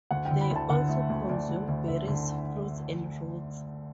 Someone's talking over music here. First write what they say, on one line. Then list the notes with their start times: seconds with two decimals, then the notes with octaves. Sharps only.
They also consume berries, fruits, and roots.
0.11 D2 F#5
0.25 G5
0.31 D3
0.41 B5
0.51 D2
0.56 A5
0.70 D3 F#5
0.89 A3
1.10 D2
1.29 D2 D5
1.49 D2
1.68 D2
1.88 D3 E5
2.08 D3